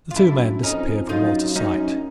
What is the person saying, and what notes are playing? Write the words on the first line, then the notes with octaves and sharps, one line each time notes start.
The two men disappeared from Walter's sight.
F4
F#2 D4 E4
F2 C#4 D#4
F#2 D#4 F4
C#4 D#4